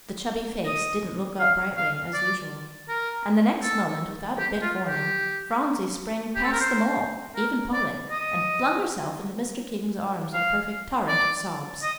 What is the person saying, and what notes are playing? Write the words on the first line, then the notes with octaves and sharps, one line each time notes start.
But the chubby face didn't look up brightly, as usual: and the next moment, without a bit of warning, Phronsie sprang past them all, even Polly, and flung herself into Mr. King's arms, in a perfect torrent of sobs.
D#5
F5
F5
D5
A#4
A4
G4
F4
G4
G4
A4
A#4
C5
A#4
D5
D#5
F5
D5
D#5